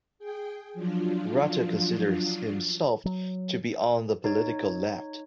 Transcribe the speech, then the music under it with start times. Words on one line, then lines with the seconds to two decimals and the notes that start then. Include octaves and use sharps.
Rutter considers himself to be on the political left.
0.19 G#4 G5
0.74 F3 F#3 D4 F4
3.05 F#3
4.24 D#4 C#5